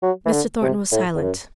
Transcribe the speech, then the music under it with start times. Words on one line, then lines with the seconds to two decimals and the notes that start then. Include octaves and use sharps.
Mr. Thornton was silent.
0.02 F#3
0.26 E3
0.32 D3
0.62 C3
0.92 A2
1.15 E2
1.22 F#2